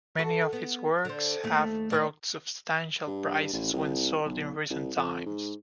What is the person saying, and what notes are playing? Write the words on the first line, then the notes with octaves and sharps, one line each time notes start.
Many of his works have brought substantial prices when sold in recent times.
F#4 A4
B3
D3 C5
D#2 A3
D4 A#4 B4
G2
A1
C2
B1
C2
F2
G#2